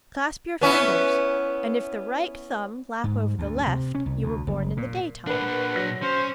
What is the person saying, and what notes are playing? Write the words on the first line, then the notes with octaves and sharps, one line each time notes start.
Clasp your fingers, and if the right thumb lap over the left you were born in the daytime.
B3 C#4 E4
G#2
D2
C3
C#4
C2
D2
F#1
A#2
A#2 D4 A#4 B4 F#5
F#3 A#6
C#4 C5